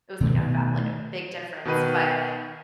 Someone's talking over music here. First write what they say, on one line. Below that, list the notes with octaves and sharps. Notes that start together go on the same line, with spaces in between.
it was, like, a va like a big difference. But
B2 D#3 A3 B3
B2 D#3 B4 D#7